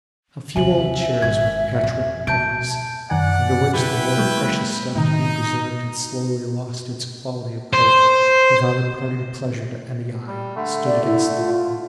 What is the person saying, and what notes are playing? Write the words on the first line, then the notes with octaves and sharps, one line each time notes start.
A few old chairs with patch-work covers, under which the more precious stuff to be preserved had slowly lost its quality of colour without imparting pleasure to any eye, stood against the wall.
D#2 C3 E5 G#5 F#7
G#1 G#6
F2
B2 A5 G6 D7
F#2 D#3 D5 F#5 G#5
B2 F#3 E4 B4 G5
F#3 G#3 A#3
A2 C3 D#3 D#4
C5
G3
D3 A3
D5
E4
F4